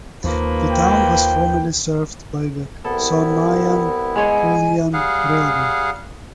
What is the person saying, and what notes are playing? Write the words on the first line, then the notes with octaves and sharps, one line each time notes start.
The town was formerly served by the Somain-Halluin Railway.
D#2 F3 A#3 B4
G5
C2 B3 E4 A4
G#3 G#4 C#5 G#5
G3 G#4 F5 F#5